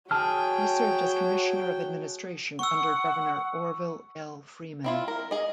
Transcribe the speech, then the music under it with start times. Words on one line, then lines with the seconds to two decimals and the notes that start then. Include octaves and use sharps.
He served as commissioner of administration under Governor Orville L. Freeman.
0.11 F#3 G#4 G5 A5 F6
2.59 F#5 C#6 E6
4.84 C4 E4 F4
5.08 A#4
5.31 G#4 D#5